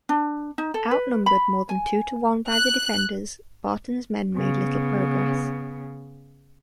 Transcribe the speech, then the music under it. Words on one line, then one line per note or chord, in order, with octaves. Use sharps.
Outnumbered more than two-to-one by the defenders, Barton's men made little progress.
D4
D#4
A4
B4
B5
G#5
F#6
C#3 B3